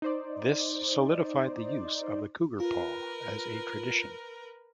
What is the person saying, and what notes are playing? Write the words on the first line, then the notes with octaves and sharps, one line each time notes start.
This solidified the use of the Cougar Paw as a tradition.
D#4 C5 D5
F4 A#4 B4